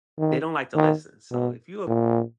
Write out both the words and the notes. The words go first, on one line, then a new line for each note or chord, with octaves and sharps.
they don't like to listen. So if you a
D#3
D#3
B2
A#2